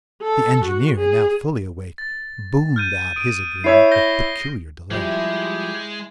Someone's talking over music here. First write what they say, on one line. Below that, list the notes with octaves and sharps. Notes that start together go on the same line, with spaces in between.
The engineer, now fully awake, boomed out his agreement with peculiar delight.
A4
F#4
G#4
A6
F6 G6 D#7
D#6 D7 D#7
E4 C#5 E5 C7
G6 A#6 G7
F3 G3 G#3 E4 G4